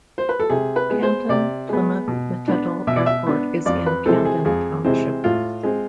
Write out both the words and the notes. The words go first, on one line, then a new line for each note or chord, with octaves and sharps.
Canton-Plymouth-Mettetal Airport is in Canton Township.
C5
B4
A4
C3 G#4
B4
G#3 B3
C5
C3 D5
G#3 B3
B2
B3 D4
B2 E5
D5
E5
B3 D4
F2 D5
B4
C3 E3 G#3 C4 A4
G#4
F2 G#4
C3 E3 G#3 C4
A2 F4
G#3 C4